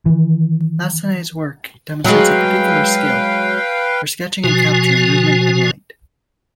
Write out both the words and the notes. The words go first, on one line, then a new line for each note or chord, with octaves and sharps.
Massonet's work demonstrates a particular skill for sketching and capturing movement and light.
D#3 E3
F#3 G#3 B4 F5 G5
B2 F3 F#4 G#5